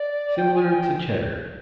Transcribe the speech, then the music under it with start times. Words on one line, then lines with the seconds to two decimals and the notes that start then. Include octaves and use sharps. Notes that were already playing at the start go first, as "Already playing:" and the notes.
Similar to Cheddar.
Already playing: D5
0.37 G5
0.54 G#5
0.72 G5